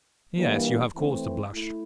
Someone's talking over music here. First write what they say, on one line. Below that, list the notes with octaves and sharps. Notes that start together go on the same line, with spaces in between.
Yes; you have cause to blush.
E3 G3 A#3 D4
E3 A3 C4
A3 E4